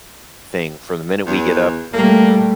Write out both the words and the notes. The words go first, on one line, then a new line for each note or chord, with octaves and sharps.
thing., from the minute we get up
E2
G3 A3 A#3